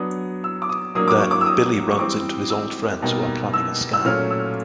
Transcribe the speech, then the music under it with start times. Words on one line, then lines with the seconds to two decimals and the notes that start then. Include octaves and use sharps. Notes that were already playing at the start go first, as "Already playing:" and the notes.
Then, Billy runs into his old friends who are planning a scam.
Already playing: F#3 B3 D4 D#6
0.44 E6
0.62 D6
0.69 D#6
0.95 F#3 A#3 D4 D#6
1.08 D6
1.19 C#6
1.31 D6
1.41 E6
1.46 D#6
1.90 C#6
1.98 E3 G3 C4 D6
2.50 E6
3.02 B2 G3 A#3 D#4
3.54 E6
3.93 E6
4.05 A#2 F#3 A3 C#4 F6
4.30 E6